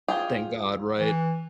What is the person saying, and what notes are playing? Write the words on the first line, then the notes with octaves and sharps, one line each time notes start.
Thank god, right?
F4 G4 G#4
E3